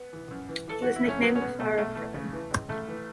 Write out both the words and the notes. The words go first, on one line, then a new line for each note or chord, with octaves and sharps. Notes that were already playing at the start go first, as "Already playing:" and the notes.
He was nicknamed "the flower of Devon".
Already playing: B3
E3
F#2
E3
E3 A4
E3 F#4
E4
A1 C#4
F#3 B3
C#4
B1 B3
B2 A3
B1 A3
E3 A3
C#3
E3
C#2
A1 A3
E3